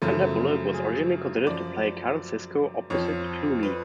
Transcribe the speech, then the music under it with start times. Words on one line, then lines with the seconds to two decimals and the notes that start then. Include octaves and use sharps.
Sandra Bullock was originally considered to play Karen Sisco opposite Clooney.
0.02 F#2 C#3 F3 A3
0.74 G#4
1.46 F#2 F3 D5
2.90 F2 F3 C#5
3.63 B4